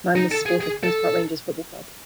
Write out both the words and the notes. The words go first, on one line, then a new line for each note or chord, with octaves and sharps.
Nyman is a supporter of Queen's Park Rangers Football Club.
D#4
A4
G#4
G#4
A4